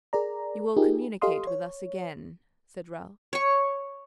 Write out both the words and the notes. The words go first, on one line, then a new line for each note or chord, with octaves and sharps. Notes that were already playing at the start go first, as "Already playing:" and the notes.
'You will communicate with us again?' said Ralph.
G#4 A#4 D5 A#5
D#4 F4 G4 G#4 A#4
G4 A4 D#5 F5 C6 D#6
C#5
C#5 C#6